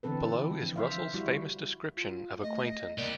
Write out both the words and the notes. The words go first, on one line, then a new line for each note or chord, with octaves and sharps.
Below is Russell's famous description of acquaintance.
D3 E3 C4 A4 B4
F3
C5 E5 F5
G3 E4 F#4
F4
A3 D#5
C2 A#3 G4 D5